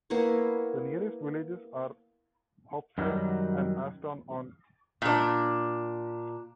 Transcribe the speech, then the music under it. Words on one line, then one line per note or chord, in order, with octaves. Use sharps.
The nearest villages are Hopesay and Aston-on-Clun.
A#3 B3 E4 C#5
F#2 D#3 F#3 G3
A#2 D4